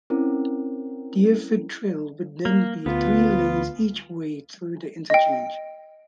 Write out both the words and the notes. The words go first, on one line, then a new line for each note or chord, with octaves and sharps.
Deerfoot Trail would then be three lanes each way through the interchange.
C4 C#4 E4 A#4
A#3
D2 B3 F4
D#5 G5